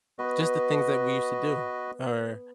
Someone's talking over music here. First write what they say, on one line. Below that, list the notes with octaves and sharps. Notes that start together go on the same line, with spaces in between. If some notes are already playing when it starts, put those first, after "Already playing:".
just the things that we used to do, or,
B3 F#4 B4 D#5